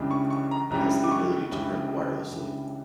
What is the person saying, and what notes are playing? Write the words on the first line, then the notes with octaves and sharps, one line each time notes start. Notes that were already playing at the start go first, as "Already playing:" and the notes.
It has the ability to print wirelessly.
Already playing: C#2 C#3 E3 G3 D4
C#6
C#6
A#5
C#2 C#3 E3 G3 D4 A#5
D6
C#6
C#2 C#3 E3 G3 D4
C#2 C#3 E3 G3 D4